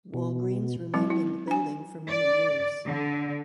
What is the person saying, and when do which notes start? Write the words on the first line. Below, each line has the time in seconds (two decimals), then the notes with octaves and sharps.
Walgreens remained in the building for many years.
0.14 B2
0.94 F#3 G#3 C4 E4
1.10 E4
1.48 D4 G#5
2.08 D5
2.86 D3